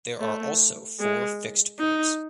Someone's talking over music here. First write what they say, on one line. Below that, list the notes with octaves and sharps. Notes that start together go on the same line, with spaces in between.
There are also four fixed ports.
A3
G#3
D#4